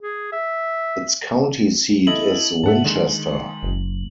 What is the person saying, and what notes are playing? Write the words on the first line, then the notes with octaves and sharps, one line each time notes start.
Its county seat is Winchester.
G#4
E5
E4 A4 D#5 F#7
G#2 E5 F#5 A5
D3 D#3 G#3
F#1